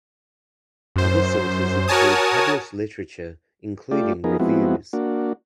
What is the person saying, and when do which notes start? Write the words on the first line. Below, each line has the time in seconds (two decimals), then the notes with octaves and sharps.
Other sources include published literature including reviews.
0.96 F#2 C5
1.88 F#4 A#4 C#5 G#5 A5 D#6
3.91 A3 F4 G4 D5
4.24 F3 B3 D#4 G#4 A#4
4.40 F3 G#3 B3 C4 E4 F#4
4.93 A#3 D4 F#4